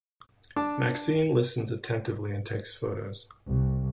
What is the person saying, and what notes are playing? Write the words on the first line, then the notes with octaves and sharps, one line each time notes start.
Maxine listens attentively and takes photos.
D4 A5 D6
C2